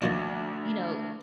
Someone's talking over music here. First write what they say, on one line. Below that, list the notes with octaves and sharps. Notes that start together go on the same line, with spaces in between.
you know,
D2 D#3 F3 D4